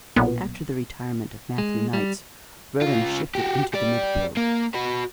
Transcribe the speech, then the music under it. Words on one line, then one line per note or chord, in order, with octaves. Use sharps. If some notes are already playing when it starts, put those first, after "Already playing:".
After the retirement of Matthew Knights, Rodan shifted into the midfield.
B1 A#2 B3
G#3
G3
C#3 F4
F#4 G4
G4 D5
A#3
F#4 B4